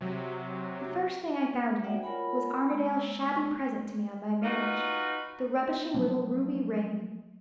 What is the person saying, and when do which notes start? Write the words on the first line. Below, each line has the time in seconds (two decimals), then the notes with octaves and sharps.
The first thing I found in it was Armadale's shabby present to me on my marriage--the rubbishing little ruby ring.
0.01 C3 F#3
1.83 F#4 C5 D5 E5 F#5 G5
2.03 F4 A#4 C#5 F#5 G#5 B5
2.49 B5
2.69 G#3 A#3 E6
4.42 D#4 F4 F#4 B4 D#5
5.94 F3 F#3 A3 A#3